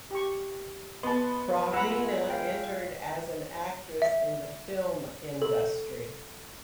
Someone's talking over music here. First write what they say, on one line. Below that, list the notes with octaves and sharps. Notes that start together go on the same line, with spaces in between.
Praveena entered as an actress in the film industry.
G4 C#6
B3 D#5 A5 C6
G#3 F4 E5 F#5 A#5 B5
F5 G5
E5
A4